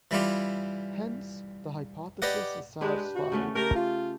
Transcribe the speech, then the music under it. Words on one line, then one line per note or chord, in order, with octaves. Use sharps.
Hence, the hypothesis is satisfied.
E3 G3 E4 F4 G4
G4 B4 D5 D#5 F#5
G#3 D4 G4 B4
F#4
C#3 A3 C#4
A3 G4 A#4
F4